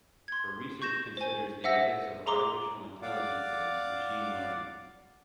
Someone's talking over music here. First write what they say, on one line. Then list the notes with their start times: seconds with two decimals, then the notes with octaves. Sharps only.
Her research considers the ethics of artificial intelligence and machine learning.
0.28 C6 G#6
0.82 C#6 G6 A#6 E7
1.17 C5 G#5
1.64 C5 E5 F#5 E6 A#6
2.27 G#4 A#5 C6 D6
3.02 D5 F5 F#5 D6